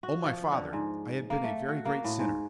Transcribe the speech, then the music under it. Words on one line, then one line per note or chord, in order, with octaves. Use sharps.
"O my father, I have been a very great sinner!"
F#4
F3
D3
G#2
A#3
A3
F#4
A#3
A2
G#2